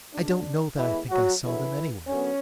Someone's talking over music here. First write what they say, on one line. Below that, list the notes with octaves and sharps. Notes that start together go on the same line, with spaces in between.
'I don't know that I think I saw them anywhere.
F#2 C#3 G#3 D4
A2 E3 G#3 B3 E4
F#3 F#4
E2 D3 E3 F#3 E4
F#2 D3 F#3 B3 C#4